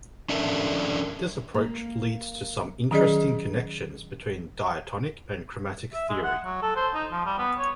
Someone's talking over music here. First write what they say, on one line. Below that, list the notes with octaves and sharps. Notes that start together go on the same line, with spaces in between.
This approach leads to some interesting connections between diatonic and chromatic theory.
C#4 D4 A4 A#4 E5
A#3
D#3 F#3 C#4 G#4 D5 D#5
E5
G#3
F#5
F#3
A4
C5
D#4
F3
G3
B3
C#5